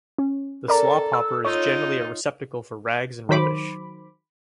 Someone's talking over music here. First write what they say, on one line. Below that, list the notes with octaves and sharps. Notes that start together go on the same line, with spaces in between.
The slop-hopper is generally a receptacle for rags and rubbish.
C#4
A4 A#4 D5 A#5
E6
D#4 F4 C#5
D#3 F#3 C5 B5 D6